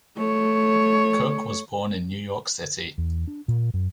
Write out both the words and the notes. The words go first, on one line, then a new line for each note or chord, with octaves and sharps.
Cook was born in New York City.
A3 C#5
E2
D4
A#2
F#2